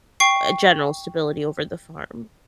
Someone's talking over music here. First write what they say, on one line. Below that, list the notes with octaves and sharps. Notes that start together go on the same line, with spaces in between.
a general stability over the farm.
G5 C#6 C7